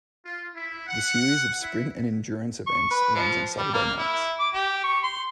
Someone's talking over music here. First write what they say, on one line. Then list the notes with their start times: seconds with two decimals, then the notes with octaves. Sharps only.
The series of sprint and endurance events runs on Saturday nights.
0.25 F4
0.55 E4
0.87 F#5
1.62 E4
2.67 C#6
2.90 B4
3.15 F3
3.58 G3
3.74 A#3
3.99 E4
4.39 D6
4.54 G4
4.84 C#6
5.03 C6